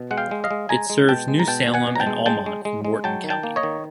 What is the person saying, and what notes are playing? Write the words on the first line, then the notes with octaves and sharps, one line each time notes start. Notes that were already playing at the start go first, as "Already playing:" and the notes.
It serves New Salem and Almont in Morton County.
Already playing: B2
G#3 F#5
F5 G5
G#3
D#5 F5
G#3
G#3 G#5 A#5
G#3
B2 G5 A5
G#3
A#5
B2 G5 A5
B2
F#5 G#5
B2
A#5
G5 A5
G#3
G#3 G5 A5
G#3
G#3
G#3
F#3 G5 A5
D#3
G5 A5
A#3
C#5 D#5
D#3